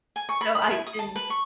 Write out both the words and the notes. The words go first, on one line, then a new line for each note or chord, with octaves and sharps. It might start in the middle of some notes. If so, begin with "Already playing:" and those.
so I can
G#5
C#6
B5
B5
E4
D#6
A5
B4
C#6